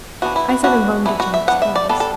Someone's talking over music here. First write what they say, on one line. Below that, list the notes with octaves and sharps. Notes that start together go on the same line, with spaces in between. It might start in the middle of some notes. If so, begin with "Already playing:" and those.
I sent him home to change his clothes...
E3 B3 D4 F#4
E4
F#4
E3 B3 D4 F#4
E3 B3 D4 E4
F#4
E5
E3 B3 D4 F#5
E5
D5
G3 B3 D4 A4
A4